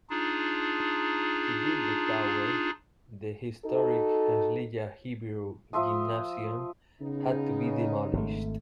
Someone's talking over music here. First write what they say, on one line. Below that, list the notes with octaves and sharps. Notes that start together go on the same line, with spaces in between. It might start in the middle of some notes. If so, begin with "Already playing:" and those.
To build the tower, the historic Herzliya Hebrew Gymnasium had to be demolished.
D4 D#4 F4 G#4
D#4 F#4 A4
F3 E5 C6 D#6
C#3 B3 D#4
G#1 A3